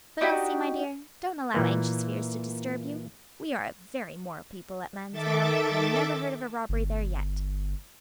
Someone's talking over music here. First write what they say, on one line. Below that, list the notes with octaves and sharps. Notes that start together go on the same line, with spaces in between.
"But, Elsie, my dear, don't allow anxious fears to disturb you; we are a very moral people at Lansdale; I never heard of a robbery there yet."
D4 D#4 F#4 G4
A#2 E3 A#3
D#3 A4 E5 D6 A6
G1